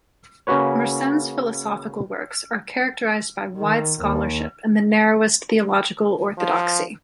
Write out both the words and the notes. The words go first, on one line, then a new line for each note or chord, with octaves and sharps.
Mersenne's philosophical works are characterized by wide scholarship and the narrowest theological orthodoxy.
C#3 A#3 C#4 F#4 B4 C#5
D#3
D#2
F3